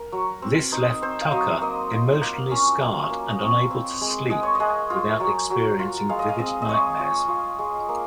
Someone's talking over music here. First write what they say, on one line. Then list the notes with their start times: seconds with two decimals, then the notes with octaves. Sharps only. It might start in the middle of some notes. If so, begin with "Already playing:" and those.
This left Tucker emotionally scarred and unable to sleep without experiencing vivid nightmares.
Already playing: A#4
0.12 F#3
0.42 C4
0.72 D#4 C5
1.02 C4 C5
1.21 F5
1.32 F#3 D#5
1.61 A#3 D#5
1.92 F4
2.22 A#3
2.51 C#4
2.81 A#3
3.11 A#3
3.30 D#5
3.41 C4 C#5
3.71 C4
4.01 G#3
4.30 G#3 D#5
4.43 C#5
4.55 G#3 D#5
4.90 F4
5.20 F#3
5.50 F#3
5.79 F4
6.09 G#3 F5
6.19 D#5
6.29 F5
6.39 C4 D#5
6.62 D#5
6.69 G#3 C#5
6.99 F4 C#5
7.28 F4
7.59 G#3
7.89 A#3